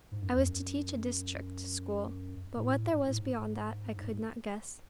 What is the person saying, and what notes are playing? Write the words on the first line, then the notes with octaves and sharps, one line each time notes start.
I was to teach a district school; but what there was beyond that, I could not guess.
G#2
F#2
E2
F#2
A2
G#2
A2
G#2
G#2